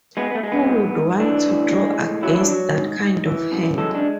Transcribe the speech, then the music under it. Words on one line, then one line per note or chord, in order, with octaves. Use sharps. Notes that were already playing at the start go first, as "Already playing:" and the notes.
Who would want to draw against that kind of hand?
G#3 B3
B3
A3
G#3
B3
G#2
G#2
E3 D4
A2
G#3
A2
F#3 E4
E4
D4
F#3
G#2
G#2
E3
F#2
G#3 A4
D4